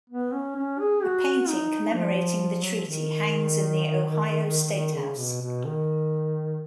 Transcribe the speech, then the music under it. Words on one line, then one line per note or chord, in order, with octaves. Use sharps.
A painting commemorating the treaty hangs in the Ohio Statehouse.
B3
C#4
C#4
G#4
F#4
D#4
F3
F#3
F3
D#3
D#3
C#3
B2
B2
D#3